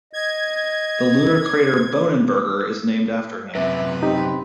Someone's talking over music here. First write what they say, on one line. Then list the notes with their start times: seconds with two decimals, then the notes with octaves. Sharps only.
The lunar crater Bohnenberger is named after him.
0.13 D#5 G#6
3.55 F#2 C3 B4 E5
4.03 C4 D#4 G4